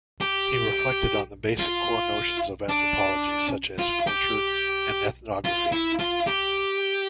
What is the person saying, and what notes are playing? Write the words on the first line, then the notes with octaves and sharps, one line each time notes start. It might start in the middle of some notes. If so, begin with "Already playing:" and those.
He reflected on the basic core notions of anthropology, such as culture and ethnography.
G4
F4
D4
F4
G4
F4
E4
F4
G4